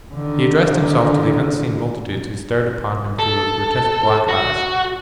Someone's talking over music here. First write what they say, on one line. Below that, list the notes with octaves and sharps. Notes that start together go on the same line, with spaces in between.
He addressed himself to the unseen multitudes who stared upon him through those grotesque black eyes.
D3 D#3
A4
F#4